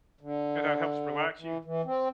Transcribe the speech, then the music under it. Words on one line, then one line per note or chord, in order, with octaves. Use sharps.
And that helps relax you?
D3
E3
E3
C4